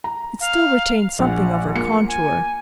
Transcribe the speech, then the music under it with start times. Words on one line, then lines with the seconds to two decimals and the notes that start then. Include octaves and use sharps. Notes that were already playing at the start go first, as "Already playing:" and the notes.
It still retained something of her contour.
0.04 A#5
0.40 F5
1.19 A#1 F#5
1.75 A#3 F4 C#7
2.08 G#5